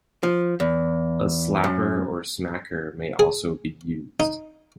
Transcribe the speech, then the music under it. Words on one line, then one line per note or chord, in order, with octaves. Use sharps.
A slapper or smacker may also be used.
F3
E2
F#2
G#4
D#4